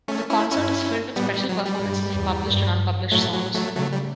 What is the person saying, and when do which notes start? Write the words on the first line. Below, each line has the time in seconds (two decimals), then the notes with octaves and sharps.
The concert is filled with special performances of published and unpublished songs.
0.08 A3 C#4
0.30 C#4 E4
0.51 G2 C#4 E4
1.16 A2 G3 B3
1.33 G3
1.49 F#3
1.66 G3
1.81 G2
2.14 E2
2.47 G2
3.11 A2 F#3 A3
3.33 F#3
3.54 F#3 A3
3.76 C#3 F#3 A3
3.93 G3